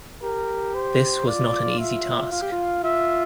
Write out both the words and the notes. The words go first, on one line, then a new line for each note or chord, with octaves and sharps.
This was not an easy task.
G4 A#4
C5
F4 D5
E5
F4 F5
G4
F4
F4 E5